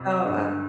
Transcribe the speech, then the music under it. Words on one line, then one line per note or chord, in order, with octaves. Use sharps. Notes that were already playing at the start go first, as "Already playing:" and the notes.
Oh, wow.
Already playing: F2 C3
G2 D3